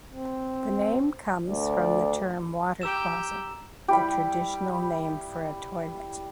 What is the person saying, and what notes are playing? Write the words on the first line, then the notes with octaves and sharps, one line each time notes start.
The name comes from the term "water closet", the traditional name for a toilet.
C4
D2 D5
G4 G5 A#5 E6 E7
G3 E4 G4